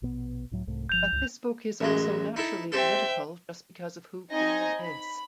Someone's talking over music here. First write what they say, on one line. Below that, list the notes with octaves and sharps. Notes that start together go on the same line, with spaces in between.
But this book is also naturally political just because of who Queenie is.
A#1 B2 B3
C#2 A2 F#3
C2 G#2 A3
G1 F3 G6 F7
C#2 G2
A1 F#2 G#3
D#4 E4 A4
C4 G4 A4 C5 E5 G5
C4 D#4 D#5 G#5 G#6 A#6
B5